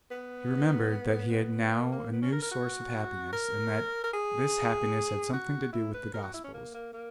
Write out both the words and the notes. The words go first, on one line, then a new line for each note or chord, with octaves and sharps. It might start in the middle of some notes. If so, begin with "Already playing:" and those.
He remembered that he had now a new source of happiness and that this happiness had something to do with the Gospels.
B3
B3
A#3
A#3
B3
C#4
A#4
A#4
F#4
A#4
A#4
G#4
F#4
E4
B4
A#4
F#4
E4
C#4
A#3
A#3
A#3